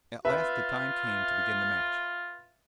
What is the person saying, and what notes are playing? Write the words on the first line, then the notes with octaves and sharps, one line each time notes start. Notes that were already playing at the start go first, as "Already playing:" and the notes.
At last the time came to begin the match.
F4 B4 E5